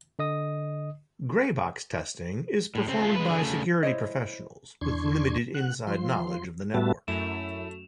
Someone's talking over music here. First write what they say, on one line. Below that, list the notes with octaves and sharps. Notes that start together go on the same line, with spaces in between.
Grey-box testing is performed by security professionals with limited inside knowledge of the network.
D3 D#5 D#6
A2
C#3 C4
A3 F4
G#3 B4
D3 G#4
C#3 A3
E4 C5 C#5 D#5
E2 D4 C6 C#6 G#6
F#5 F#6
F3 C6
A2 G3 B3 F#4 E5 A5
F#2 A3 E4 E7 F7